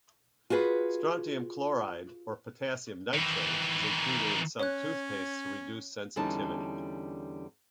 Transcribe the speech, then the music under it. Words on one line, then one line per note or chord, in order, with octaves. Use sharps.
Strontium chloride or potassium nitrate is included in some toothpastes to reduce sensitivity.
F4 F#4 G#4 B4
D#3 E3
C#4 C#5 F#6
E2 D3 G3 C#4 D#4 A5